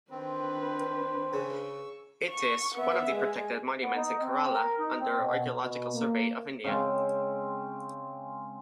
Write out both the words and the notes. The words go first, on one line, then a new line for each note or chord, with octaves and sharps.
It is one of the protected monuments in Kerala under Archaeological Survey of India.
D#3 C4 D4 B4 C5
C#3 C#6 E6
C#6
B3 E5
G#3
B3
D#4
C4
A#4
D#4
C4
B2
B2
A#3
C#3 G#3 C4